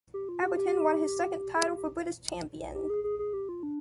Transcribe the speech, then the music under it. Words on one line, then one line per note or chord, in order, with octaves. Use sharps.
Everton won his second title for British champion.
G4
F4
G4
G4
G#4
G4
G4
G4
G#4
G#4
G#4
G4
F4
D4